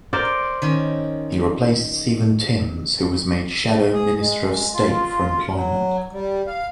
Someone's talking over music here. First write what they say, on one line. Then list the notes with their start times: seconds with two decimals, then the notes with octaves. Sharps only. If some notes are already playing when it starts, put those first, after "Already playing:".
He replaced Stephen Timms, who was made Shadow Minister of State for Employment.
0.13 A#4 C5 D5
0.62 D#3 C#4
3.93 G#4
4.20 G#3
4.73 F4
5.54 F#3
6.12 G3
6.47 F5